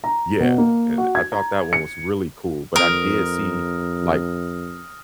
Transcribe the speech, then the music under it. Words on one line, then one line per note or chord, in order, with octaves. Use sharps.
Yeah, and I thought that one was really cool, but I did see, like,
A#5
B2
A#3
F#4
G#6
A#5
C#7
F2 A#4 D#6 F6 A#6